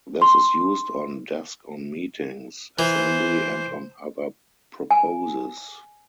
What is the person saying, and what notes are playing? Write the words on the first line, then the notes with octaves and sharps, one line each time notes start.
This Is Used on Desk On Meetings, Assembly and on Other Proposes.
C6
E3 C5
G#5